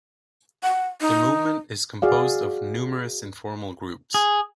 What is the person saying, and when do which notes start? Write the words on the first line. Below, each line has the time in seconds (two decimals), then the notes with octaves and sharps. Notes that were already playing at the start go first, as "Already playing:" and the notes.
The movement is composed of numerous informal groups.
0.63 F#5
1.01 D#4
2.02 F#4 G#4 D5 F5
4.14 G#4